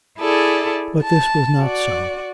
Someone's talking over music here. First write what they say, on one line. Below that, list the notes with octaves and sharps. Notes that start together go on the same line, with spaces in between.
But this was not so.
E4 G#4 A4 D5
A5
F#4 D5